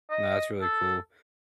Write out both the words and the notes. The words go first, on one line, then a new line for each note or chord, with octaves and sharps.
Nah, that's really cool.
D#5
A4